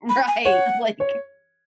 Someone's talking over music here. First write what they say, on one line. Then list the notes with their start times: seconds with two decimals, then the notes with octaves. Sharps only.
Right, like
0.09 B5
0.27 G#5
0.45 C#5 F#5
1.00 C#5